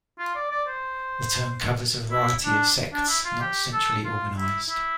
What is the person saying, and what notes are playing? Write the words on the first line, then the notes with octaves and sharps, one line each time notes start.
The term covers a variety of sects, not centrally organized.
F4
D5
D5
C5
E4
D4
D4
E4
F4
G4
A4
F4
E4
E4